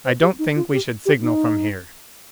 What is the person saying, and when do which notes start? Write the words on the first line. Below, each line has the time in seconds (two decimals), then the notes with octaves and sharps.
"I don't think we should signal from here."
0.05 C5
0.22 G4
0.39 D#4
0.56 F4
0.73 G4
1.06 G4
1.23 D#4